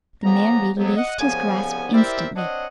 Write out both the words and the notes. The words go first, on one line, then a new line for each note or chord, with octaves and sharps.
The man released his grasp instantly.
F2 C#3 E3 B3 A#5
F2 F#3 B3
D#5 F#5
C2 C#3 F3 B3 G#5
E4 G4 A#4 C5 D5 E5
C4 D4 C#5 D#5 F#5